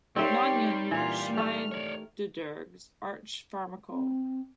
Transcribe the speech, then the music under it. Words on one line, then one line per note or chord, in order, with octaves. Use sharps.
Naunyn-Schmiedederg's Arch Pharmacol.
G3 C4 D#4 G4 A#4 C#5 E5 C6
A#2 E3 F4
A3 F6
C#5 D5
C4